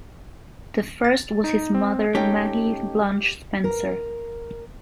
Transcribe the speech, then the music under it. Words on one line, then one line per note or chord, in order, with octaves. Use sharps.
The first was his mother Maggie Blanche Spencer.
A6
D#4
C4
A3 C#4 D#4 G4 G5
A#4